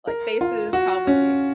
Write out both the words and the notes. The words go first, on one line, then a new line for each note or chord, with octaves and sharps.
like faces probably
A#4
F4
F#4
C#4